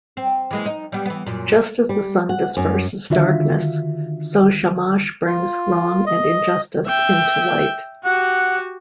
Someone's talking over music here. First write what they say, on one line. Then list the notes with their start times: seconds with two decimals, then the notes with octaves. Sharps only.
Just as the Sun disperses darkness, so Shamash brings wrong and injustice to light.
0.17 C4
0.51 E3 G#3 A#3
0.66 D#4
0.92 G3 B3
1.06 E3 B3
1.26 F#2 A#2
1.89 G3
2.29 F#5
2.57 F#2
3.10 D3 D#3 F4 F#4 E5
5.27 F4
6.07 D#5
6.87 E5 G5
8.05 F#4 G4 F#5